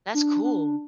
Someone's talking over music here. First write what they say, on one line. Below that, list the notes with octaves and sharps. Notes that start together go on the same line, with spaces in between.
That's cool.
D4
D4